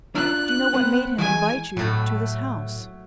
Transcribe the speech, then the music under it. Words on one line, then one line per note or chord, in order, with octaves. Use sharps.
"Do you know what made him invite you to this house?"
D4 F4 D5 F#6
B3 C4 B4
E3 G#3 G#5
A2 F#3 A3 A4